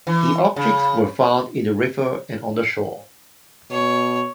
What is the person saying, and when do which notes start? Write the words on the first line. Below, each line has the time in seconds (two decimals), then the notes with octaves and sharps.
The objects were found in the river and on the shore.
0.07 E3
0.56 C#3
3.71 B2 C#5